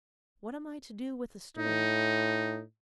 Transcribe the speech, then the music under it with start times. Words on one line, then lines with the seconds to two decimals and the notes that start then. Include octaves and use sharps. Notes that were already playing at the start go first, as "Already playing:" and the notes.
"What am I to do with a stone?"
1.57 A2 D#4